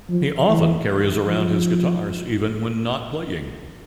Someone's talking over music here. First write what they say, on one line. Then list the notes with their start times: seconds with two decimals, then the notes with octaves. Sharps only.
He often carries around his guitars even when not playing.
0.10 F3
0.48 E3
1.27 F3